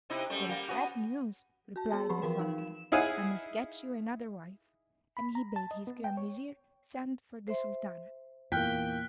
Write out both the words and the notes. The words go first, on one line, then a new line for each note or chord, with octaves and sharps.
'That is bad news,' replied the Sultan; 'I must get you another wife.' And he bade his Grand Vizir send for the Sultana.
C3 D#4 E4
F#2 G3 A3
G3 A#3
B3 C#4 F#4
F#4 A5
B3 G#4 A5
F3 C4 G#4 B4 B5
E3 A#4 G5 E7
D#4 F5
E7
D#4 E4 G#4 F5 F#5 G#5
B5
A#5
A5
D#5
B3
G5
C#5
C5 E5 C6
E2 A#2 A#3 G5 F6 F#6 B6